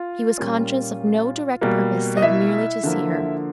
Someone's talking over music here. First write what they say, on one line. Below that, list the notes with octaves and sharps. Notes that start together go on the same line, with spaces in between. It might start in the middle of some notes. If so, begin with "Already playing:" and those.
He was conscious of no direct purpose save merely to see her.
Already playing: F4
A#2 G3 A#3 C#4
B2 G3 A#3
D#5
E4 E5
D3 F3 A#3